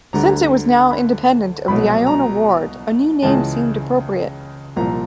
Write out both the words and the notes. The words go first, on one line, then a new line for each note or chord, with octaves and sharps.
Since it was now independent of the Iona Ward, a new name seemed appropriate.
D2 D3 G3 A#5
B5
C2 B2 F#3 B5
A#5
C#2 C#3 E3 G#3 A5
C2 A#2 F3 A#5